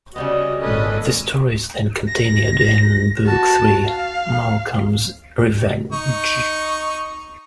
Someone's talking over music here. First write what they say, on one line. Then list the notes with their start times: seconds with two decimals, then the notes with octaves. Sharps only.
The story is then continued in Book Three: Malcolm's Revenge.
0.16 C#3 G3 B3 C#4 F#4 D#5
0.62 G#1 A#2 C#4 A4 B4 D#5
2.09 A#6
3.26 F#4 A5
3.87 F5
5.92 D#4 C#6